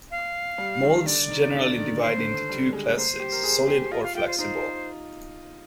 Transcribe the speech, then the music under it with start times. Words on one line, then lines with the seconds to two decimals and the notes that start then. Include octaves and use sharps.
Molds generally divide into two classes: solid or flexible.
0.11 F5
0.58 G3
0.83 D#3
1.06 D3 D5
1.30 D#3
1.54 D3
1.78 D#3
2.01 D#3 C5
2.18 D3
2.34 D3
2.49 G3
2.73 G#3
2.96 A#3 C5
3.20 G4
3.32 A#4
3.44 G#4
3.68 G4
3.86 G4
3.91 F4 D#5
4.03 F5
4.15 F4 G5
4.27 C5
4.39 D#4 C5